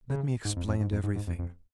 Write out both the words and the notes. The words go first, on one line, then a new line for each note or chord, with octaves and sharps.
Let me explain everything.
C#3
G#2
F2
F2
G#2
F2
G#2
G#2
F2
F2